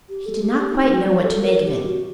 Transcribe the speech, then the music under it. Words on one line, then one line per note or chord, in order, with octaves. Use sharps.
He did not quite know what to make of it.
G4
A4
G4
A4
G4
D#4
F#4
F#4
A#4
A4
A#4
G4
F#4